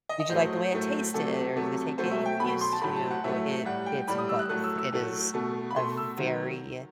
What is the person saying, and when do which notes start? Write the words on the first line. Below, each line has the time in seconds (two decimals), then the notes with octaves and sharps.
did you like the way it tasted, or did it take getting used to? It it's both, it is a very, uh,
0.09 D#5
0.20 D#5
0.29 A2 F#3 A3 C5
0.72 A2 F#3 A3
1.14 C3 F#3 A3 A4
1.56 C3 F#3 A3
1.98 B2 F#3 A3 C5
2.11 E5
2.26 G5
2.40 B2 F#3 A3 B5
2.61 C6
2.73 A5
2.81 A2 F#3 A3 B5
2.96 A5
3.11 F#5
3.24 A2 F#3 A3 E5
3.65 A2 G3 F#5
3.86 G5
4.07 A2 G3 B5
4.18 D#6
4.29 E6
4.39 F#6
4.49 A2 F#3 A3 F#6
4.64 E6
4.78 E6
4.92 A2 F#3 A3
5.34 B2 A3
5.71 B5
5.76 B2 A3 C6
5.97 E6
6.17 D#3 F#3